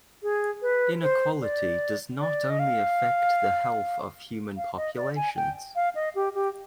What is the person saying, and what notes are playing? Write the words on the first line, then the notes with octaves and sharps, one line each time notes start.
Inequality does not only affect the health of human populations.
G#4
B4
C5
D5
D5
D#5
F5
F5
D#5
D5
G#5
G5
F5
D#5
G4
G4